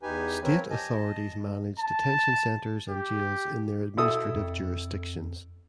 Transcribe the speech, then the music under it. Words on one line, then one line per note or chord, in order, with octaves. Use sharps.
State authorities manage detention centers and jails in their administrative jurisdictions.
E2 D#4 G4 B4 G#5
F3 C4 A#4 B4 C#5
G4 D#5 G#5 A5
D#5 A5
G#3
A5
G4
B2 E4 A4 D#6
F2